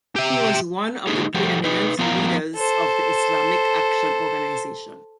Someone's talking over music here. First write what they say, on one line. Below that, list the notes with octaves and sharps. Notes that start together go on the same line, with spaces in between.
He was one of the preeminent leaders of the Islamic Action Organisation.
G4 E5
D3 G#3 A#3 D#4 G4 G#4
F3 A3 F#4 G4 A4
D#4 G#4 B4
F3 B3 F4 A#4 F5 A#5
A4 C5